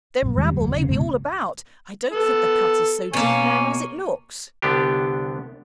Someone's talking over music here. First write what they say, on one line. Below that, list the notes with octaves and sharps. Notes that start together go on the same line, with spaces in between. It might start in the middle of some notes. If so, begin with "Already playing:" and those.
'Them rabble may be all about; I don't think the cut is so deep, ma'am, as it looks.'
A#1 F#2
E2 D#3 G3 G#3
F1 D2 F#3
F1 C#3
G1 C#2 G#2 B2
B3 A4
B2 A#3 C#5 G#5
C2 D3 B3 D4 G4